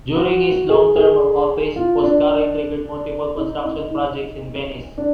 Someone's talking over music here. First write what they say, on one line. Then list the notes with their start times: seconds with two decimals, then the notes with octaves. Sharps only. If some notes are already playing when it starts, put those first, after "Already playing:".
During his long term of office Foscari triggered multiple construction projects in Venice.
0.16 F#4
0.70 G#4
0.96 G#4
1.76 F4
2.04 D4
3.37 D#4
3.64 D#4
3.90 D#4
4.98 D4